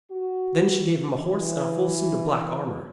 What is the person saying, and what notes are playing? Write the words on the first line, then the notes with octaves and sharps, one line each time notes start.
Then she gave him a horse and a full suit of black armour.
F#4
E3